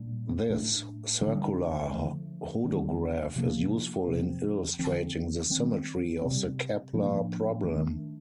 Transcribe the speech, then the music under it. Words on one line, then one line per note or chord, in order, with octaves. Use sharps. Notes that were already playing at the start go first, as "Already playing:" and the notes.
This circular hodograph is useful in illustrating the symmetry of the Kepler problem.
Already playing: A#2 G3 A#3 D4
A2 A3 D4
D3 G3 D4
D3 F3 A3
D#3 G3 D4
C3 F3 A#3 D4
C3 F3 C4
D3 F3 C4
D#3 G3 C4
C3 G3 C4
A2 F3 A#3 D4
D#3 A3 D4